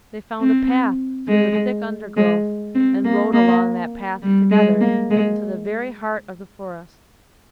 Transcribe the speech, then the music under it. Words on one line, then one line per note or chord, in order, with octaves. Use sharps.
They found a path through the thick undergrowth, and rode along that path together into the very heart of the forest.
C4
G#3
G#3
C4
A#3
A#3
G3
G#3
A#3
G#3